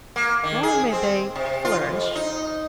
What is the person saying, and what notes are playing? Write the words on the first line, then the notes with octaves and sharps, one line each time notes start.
Long may they, flourish.
A#3
D#3
G#4
C4
C3
F4
F2
D#4